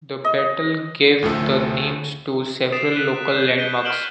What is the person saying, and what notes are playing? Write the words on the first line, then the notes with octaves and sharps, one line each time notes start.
The battle gave the names to several local landmarks.
D#5
D2 A2 F3 A3
D#6 A6 B6 C7 D7 E7
F#6 B6 C7
G6 E7
G6 B6 D7 D#7 G7
F6 D7 E7 F#7 G7